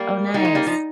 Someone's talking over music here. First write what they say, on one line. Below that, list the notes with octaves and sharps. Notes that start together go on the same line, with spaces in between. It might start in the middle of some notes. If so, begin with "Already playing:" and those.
Oh, nice.
Already playing: G3 A#3
G3 A#3 D#4
G#3
G3 A#3
F3